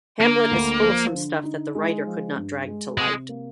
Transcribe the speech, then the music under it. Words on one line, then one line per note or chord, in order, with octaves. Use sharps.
Hamlet is full of some stuff that the writer could not drag to light.
D3 A#3
D2
F3
D3
D#4
G#3
F3
G2
G#3
C3 G#3
A#3